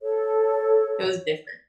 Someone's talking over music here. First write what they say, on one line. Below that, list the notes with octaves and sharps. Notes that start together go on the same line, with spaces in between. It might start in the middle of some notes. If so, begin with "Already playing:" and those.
it was different.
A4 C#5